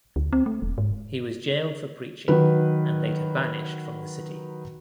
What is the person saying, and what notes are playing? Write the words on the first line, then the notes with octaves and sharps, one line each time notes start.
He was jailed for preaching and later banished from the city.
D2
C4
A3
E1
G#2
D#3 F#3 B4